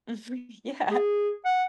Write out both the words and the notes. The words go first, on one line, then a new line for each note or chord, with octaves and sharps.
Mhm. Yeah.
G#4
F#5